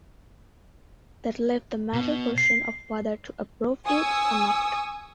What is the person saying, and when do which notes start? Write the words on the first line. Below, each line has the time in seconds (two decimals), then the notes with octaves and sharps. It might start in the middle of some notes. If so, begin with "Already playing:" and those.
That left the major question of whether to approve it or not.
1.93 B2
2.38 C7
3.86 G#5 C#6 D#6 E6